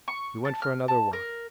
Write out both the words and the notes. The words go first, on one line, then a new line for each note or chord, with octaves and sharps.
We went for another walk.
C#6
A5
F6
A5
A#4